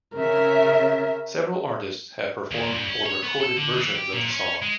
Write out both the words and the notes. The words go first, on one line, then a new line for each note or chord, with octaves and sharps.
Several artists have performed or recorded versions of the song.
C#3 A#4 E5
D#2
G2
C#4
C#5
B3
A4
D3
E3
G4
A#2
C#4
G#3